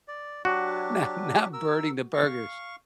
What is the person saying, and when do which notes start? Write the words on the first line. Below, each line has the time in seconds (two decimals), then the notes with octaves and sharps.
not not burning the burgers.
0.08 D5
0.45 F#3 D4 F#4 G4
1.53 A#4 E6
2.13 F5 C#6